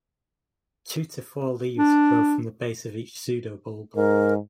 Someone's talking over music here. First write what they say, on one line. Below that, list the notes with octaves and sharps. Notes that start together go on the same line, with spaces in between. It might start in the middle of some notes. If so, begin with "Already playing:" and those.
Two to four leaves grow from the base of each pseudobulb.
D4
G#2 A#4